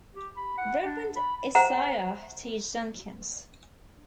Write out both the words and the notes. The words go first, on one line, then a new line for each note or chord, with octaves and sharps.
Reverend Isaiah T. Jenkins.
G4
B5
F#5
D4
B5
C5 F#5 A#5